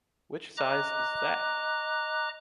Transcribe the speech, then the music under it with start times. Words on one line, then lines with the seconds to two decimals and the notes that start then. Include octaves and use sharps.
Which size is that?
0.57 D#5 A#5 D6 F#6